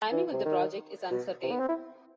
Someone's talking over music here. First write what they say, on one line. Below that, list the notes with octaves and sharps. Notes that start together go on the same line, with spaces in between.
Timing of the project is uncertain.
E3
C3
D#3
B2
C3
B3
C4
E4